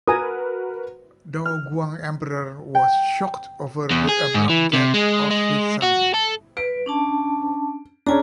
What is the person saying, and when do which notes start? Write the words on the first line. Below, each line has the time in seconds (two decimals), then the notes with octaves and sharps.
Daoguang Emperor was shocked over the abrupt death of his son.
0.07 F#4 A#4 B4 G#5 A#5 D#6
1.45 F6
2.75 G5
3.91 E2
4.09 G#4
4.34 G#2
4.50 E3
4.73 C3
4.94 G#3
5.30 G#3
5.82 F#4
6.14 A4
6.57 B4 D7
6.86 C#4 D4 A5
8.06 C#4 D4 G#4 G#5 A#5